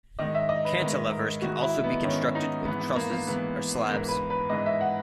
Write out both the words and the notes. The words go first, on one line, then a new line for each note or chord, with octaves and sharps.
Cantilevers can also be constructed with trusses or slabs.
G#2 D#3 D#5
E5
D#5
B4
G#2 D#3 A#4
A#4
G#2 D#3 F#4
E4
B3
G#2 D#3 C#4
D#4
G#2 E3 B3
B3
A#3
A#3
G#2 E3 B3
G#2 E3 A#4
B4
B4
G#2 E3 D#5
E5
F#5